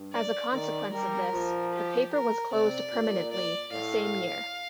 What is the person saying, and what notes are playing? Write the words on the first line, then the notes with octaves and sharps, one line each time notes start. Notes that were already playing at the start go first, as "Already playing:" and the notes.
As a consequence of this, the paper was closed permanently the same year.
Already playing: G2
D5
D#3 D5
G3 A#4
F3
G4
A#4
C3 D5
A#2
D5
A2 F5